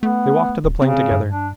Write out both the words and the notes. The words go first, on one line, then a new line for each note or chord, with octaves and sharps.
They walked to the plane together.
A3 B3
D#1
C#3 C4
G2
D4